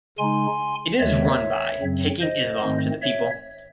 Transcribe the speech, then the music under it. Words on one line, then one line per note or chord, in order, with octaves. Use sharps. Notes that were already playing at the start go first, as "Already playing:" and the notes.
It is run by Taking Islam to the People.
C#3 G#3 D#4 G#5 C6
D#2 D#3 G#3 C#5 E5
F#2 C#3 F#3 C4
C5 D#5
G#2 D#3 A3 C4
C#5 E5